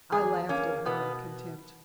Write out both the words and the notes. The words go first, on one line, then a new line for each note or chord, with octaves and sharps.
I laughed at her in contempt.
E2 G#4
A#3 C#4
B2 B3